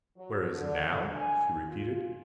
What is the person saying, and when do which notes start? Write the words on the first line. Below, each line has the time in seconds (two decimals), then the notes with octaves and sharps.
"Whereas now?" she repeated.
0.16 F#3
0.52 D3
1.16 G#5
1.68 F4